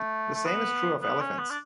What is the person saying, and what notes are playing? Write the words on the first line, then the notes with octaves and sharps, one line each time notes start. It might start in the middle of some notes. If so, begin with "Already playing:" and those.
The same is true of elephants.
Already playing: A3
A3
B3
B3
C#4
B3
D4